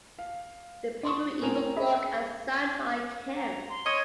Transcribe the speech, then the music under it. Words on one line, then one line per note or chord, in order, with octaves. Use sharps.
The people even look and sound like him.
F5
D5 C6 C#6 D#6
A2 C4 A#4 G#5 A#5 F7
C#4 G#4 D#5 E5 B5
A#5
C6
C#5 D#5